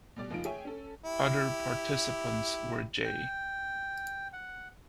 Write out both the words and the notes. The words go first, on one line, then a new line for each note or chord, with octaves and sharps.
Other participants were J.
B2 G3 D5
F#1 F3 D#4 F4 D7
G#4 C#5 E5 G5 G#5
C#4 A4
E4 G4
G5
F#5